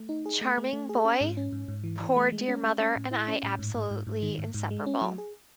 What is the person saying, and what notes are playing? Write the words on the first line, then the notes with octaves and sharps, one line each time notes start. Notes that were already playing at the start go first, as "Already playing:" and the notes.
Charming boy — poor dear mother and I absolutely inseparable.
Already playing: A3
D#4
G#4
A3
A3
A3
G#4
C#4
G#2
C#4
G#2
G#2
E3
E3
A3
G#3
C#4
G#3
C#4
A2
E4
C#4
A2
G#2
G#2
G#2
G#2
D#3
G#2
G#2
G#3
C#4
F#3
G#4